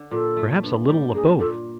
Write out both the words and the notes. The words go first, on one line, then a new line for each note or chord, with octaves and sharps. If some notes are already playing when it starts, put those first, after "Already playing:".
Perhaps a little of both.
Already playing: D3
A#2 A4
A3
G2
G3
A#3 G#4
A#2 A4